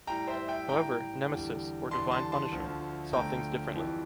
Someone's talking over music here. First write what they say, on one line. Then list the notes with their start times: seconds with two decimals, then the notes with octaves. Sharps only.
However, Nemesis, or divine punishment, saw things differently.
0.07 A2 G3 G5 A#5
0.27 C5 E5
0.48 E5 G5
0.68 A2 G3 G5 A#5
1.30 E2 D3 G3
1.91 E2 D3 G3 A5 C6
2.11 A5 C6
2.32 A5 C6
2.52 D2 D3 F3 A3
3.13 D2 D3 F3 A3 G5 A#5
3.74 F2 E3 G3